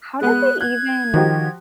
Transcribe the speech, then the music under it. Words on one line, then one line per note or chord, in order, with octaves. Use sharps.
How did they even
G#3 B3 F#6
F#6 G#6
D#3 F3 F#4 G4